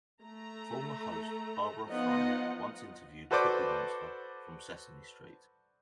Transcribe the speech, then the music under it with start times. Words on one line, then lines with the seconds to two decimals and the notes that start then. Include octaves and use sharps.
Former host Barbara Frum once interviewed Cookie Monster from "Sesame Street".
0.21 A3 A#5
1.86 F3 B3 D#4 F4 D#5 F#5
3.31 F#4 A4 B4 C5 D5 D6